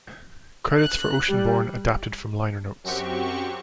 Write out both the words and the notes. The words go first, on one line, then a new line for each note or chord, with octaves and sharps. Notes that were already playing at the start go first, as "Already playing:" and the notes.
Credits for "Oceanborn" adapted from liner notes.
F#6
G3
F#2 C4 F#4 G4 C#6